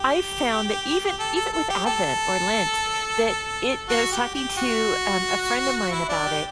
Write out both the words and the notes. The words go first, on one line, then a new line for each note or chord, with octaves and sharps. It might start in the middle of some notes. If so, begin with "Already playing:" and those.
I found that even even with Advent or Lent that it and I was talking to, um, a friend of mine about it,
Already playing: G4
A4
A4
A4
G4
A4
F#4
G4
G4
F#4
E4
D4
G4